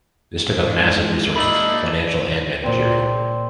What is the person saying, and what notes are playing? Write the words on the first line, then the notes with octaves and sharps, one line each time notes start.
This took up massive resources - financial and managerial.
G#2
A#3 D4 D#4 E5 B5 F#7
A#2 C4